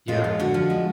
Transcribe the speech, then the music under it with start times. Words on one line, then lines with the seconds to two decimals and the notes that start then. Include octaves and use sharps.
Yeah, yeah.
0.08 G#3 F4
0.24 F3
0.39 D3 F#4
0.54 F3
0.70 G#3